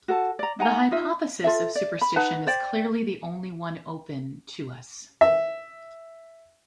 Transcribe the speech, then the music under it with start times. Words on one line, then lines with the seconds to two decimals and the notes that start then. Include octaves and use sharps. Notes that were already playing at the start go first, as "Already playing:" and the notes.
The hypothesis of superstition is clearly the only one open to us.
0.08 F#4 A4 F#5 A5
0.39 D5 A#5
0.59 D#4 F#5 G#5 A#5
0.91 D#4 F4 E5
1.44 F4 A4 E5
1.76 D5
2.01 B5
2.16 D#4 B4 F#5 A5
2.47 C5 D5 G5
5.21 E5